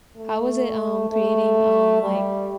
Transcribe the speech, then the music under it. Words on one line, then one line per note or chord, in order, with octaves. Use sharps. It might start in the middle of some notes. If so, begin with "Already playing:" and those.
How was it, um, creating, um, like,
A3
A3
G3